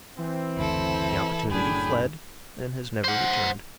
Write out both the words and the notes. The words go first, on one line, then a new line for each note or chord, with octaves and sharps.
The opportunity fled and has never returned.
E3 C4
F#1 D2 E4 A4
F#1 F#2 A2 D4 G#4 G5 G#5 B5
C5 F#5